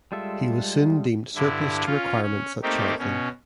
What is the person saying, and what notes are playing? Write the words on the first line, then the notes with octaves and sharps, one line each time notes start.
He was soon deemed surplus to requirements at Charlton.
G3 G#3 F4 A4 E5
G2 D3 E4
C#4 F4
C#4
A3 A#3 C4 D#4 G4
B2 C#4